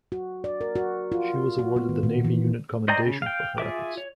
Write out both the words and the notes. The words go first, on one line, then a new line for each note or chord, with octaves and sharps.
She was awarded the Navy Unit Commendation for her efforts.
F#4
D5
A#4
F#4
F4
F#4
B3
D#3
A#2
E3
C5 D5 D#5 G5 A#5
C#3
F5 G5
F4 G#4 E5 D6
C#5